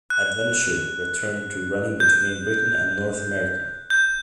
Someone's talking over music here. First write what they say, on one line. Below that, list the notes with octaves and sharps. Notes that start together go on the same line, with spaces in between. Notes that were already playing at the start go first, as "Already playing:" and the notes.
"Adventure" returned to running between Britain and North America.
F#6
G6
G6